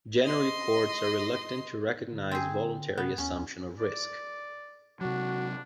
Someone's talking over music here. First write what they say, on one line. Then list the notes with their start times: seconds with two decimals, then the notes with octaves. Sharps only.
Generally courts are reluctant to recognise voluntary assumption of risk.
0.23 D#5 C6
2.12 D3
2.31 C4 G#4
2.98 C3 B3
3.18 D#2 C#4
3.79 D5
5.01 C3 F#3 D4 F#4